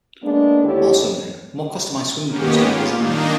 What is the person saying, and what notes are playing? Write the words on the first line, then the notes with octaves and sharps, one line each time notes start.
Also new, more customized swimming pools can be designed.
G#3 A#3 B3 D4
D#2 D3 E4 G4 A4 C#5
D#3 A#3 B3 C#4 G4
F4
D#3 A#3 D4 D#4